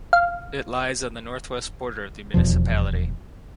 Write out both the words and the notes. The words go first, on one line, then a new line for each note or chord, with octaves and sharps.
It lies on the northwest border of the municipality.
F5
D#1 E2 B2 F3